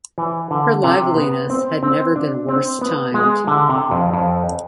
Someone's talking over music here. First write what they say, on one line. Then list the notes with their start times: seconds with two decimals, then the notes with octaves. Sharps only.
Her liveliness had never been worse timed.
0.18 E3
0.51 D3
0.84 C3
1.17 B3
1.50 C4
1.83 C4
2.16 D4
2.49 C4
2.81 B3
3.14 G#3
3.47 D3
3.69 C3
3.91 F2
4.14 F2